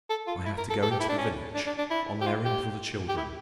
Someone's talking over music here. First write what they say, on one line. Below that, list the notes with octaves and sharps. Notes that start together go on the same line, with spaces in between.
I have to go into the village, on an errand for the children.
A4
F4
E4
A#4
A4
A4
G4
E4
D4
C#4
D4
D4
D4
E4
G4
F4
G4
G4
E4